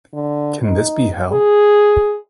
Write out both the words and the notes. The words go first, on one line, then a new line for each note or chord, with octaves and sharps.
Can this be hell?
D3
D#4
G#4